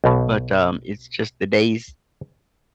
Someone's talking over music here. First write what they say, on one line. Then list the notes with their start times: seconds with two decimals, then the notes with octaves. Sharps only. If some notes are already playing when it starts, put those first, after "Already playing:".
but, um, it's just the days,
0.04 B1 B2